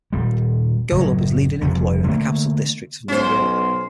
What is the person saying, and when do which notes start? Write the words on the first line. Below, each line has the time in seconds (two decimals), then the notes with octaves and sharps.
Golub is leading employer in the Capital District of New York.
0.13 D#1 G3
0.92 F#1 A2 F#3
1.61 F1 C2 C#3
2.07 D3 A3 A#3
3.08 B1 C#4 C5